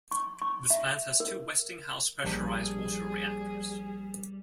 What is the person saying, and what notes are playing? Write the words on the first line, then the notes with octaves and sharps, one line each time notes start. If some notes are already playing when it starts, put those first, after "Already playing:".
This plant has two Westinghouse pressurized water reactors.
C#6
C#6
E5
A#4
A#1 G3 D4 G#4